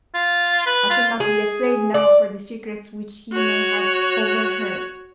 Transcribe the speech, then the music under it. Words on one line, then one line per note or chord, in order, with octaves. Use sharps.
I shall not be afraid now for the secrets which he may have overheard.'
F4
B4
F4
G#4
D5
F#4 C#5